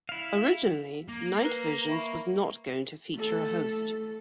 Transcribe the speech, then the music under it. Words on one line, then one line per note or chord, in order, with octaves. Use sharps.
Originally, "Night Visions" was not going to feature a host.
E4 F5
A#3
A#4 B4 A#5
E5 B5 C#6
A3 A4